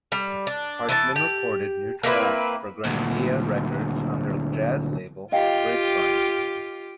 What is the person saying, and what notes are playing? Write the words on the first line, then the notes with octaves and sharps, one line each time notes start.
Hartman recorded new tracks for Grenadilla Records on their jazz label, Grapevine.
G3
D4
E3 C5 A5
G4
A#3 C4 E4 B4
D2 A#2
F4 G4 D#5 F5 G5